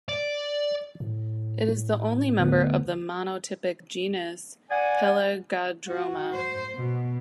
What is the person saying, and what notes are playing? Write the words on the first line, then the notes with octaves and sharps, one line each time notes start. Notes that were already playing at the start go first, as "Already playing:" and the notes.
It is the only member of the monotypic genus Pelagodroma.
D5
A2
D2 B3
D5 F#5 G#5
F#4
C5
B2